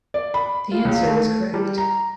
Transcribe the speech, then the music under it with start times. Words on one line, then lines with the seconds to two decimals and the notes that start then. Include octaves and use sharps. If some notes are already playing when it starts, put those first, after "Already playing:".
The answer is correct.
0.14 D5
0.34 B5
0.71 F4
0.85 C#2
1.06 A3
1.54 G3
1.78 A#5